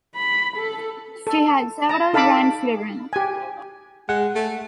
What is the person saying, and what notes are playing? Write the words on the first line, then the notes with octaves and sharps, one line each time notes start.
She had several grandchildren.
B5
A4
A4
A5 A#5
D#4 A4 F5 A5 B5 D6
G4 G#5
G#3 F#5
A3